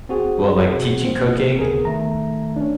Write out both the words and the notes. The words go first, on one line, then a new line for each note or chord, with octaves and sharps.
well, like teaching cooking,
C4 F#4 G#4
C3
A#3 C4
D2 B3 G#4 A#4
D#3 A3 A#5
C#4 D4